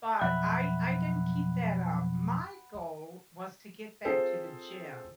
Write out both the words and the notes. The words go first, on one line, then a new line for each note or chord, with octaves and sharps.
but I I didn't keep that up. My goal was to get back to the gym
B1 F2 E5 F#5 B5 F#6
C4 F4 G#4 A4 C5